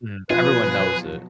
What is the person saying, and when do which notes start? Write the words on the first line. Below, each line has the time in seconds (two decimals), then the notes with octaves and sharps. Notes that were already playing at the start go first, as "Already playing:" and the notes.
Mhm, everyone knows it.
0.30 B2 F3 F#3 F4 G#4 B4